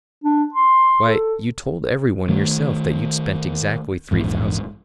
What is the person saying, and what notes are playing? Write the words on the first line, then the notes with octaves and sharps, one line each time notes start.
"Why, you told every one yourself that you'd spent exactly three thousand."
D4
C6
A4
D#3 A3
A#1 E2 G#2